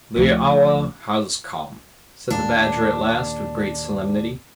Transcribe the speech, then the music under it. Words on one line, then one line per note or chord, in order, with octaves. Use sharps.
'The hour has come!' said the Badger at last with great solemnity.
D2 F3
D#2 A#2 D4